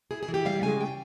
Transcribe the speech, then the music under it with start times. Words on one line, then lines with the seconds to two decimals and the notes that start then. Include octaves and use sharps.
If you were
0.11 E4 G#4
0.23 G#4
0.28 E3
0.34 G4
0.45 G3 F5
0.62 C#3 G#5
0.81 G5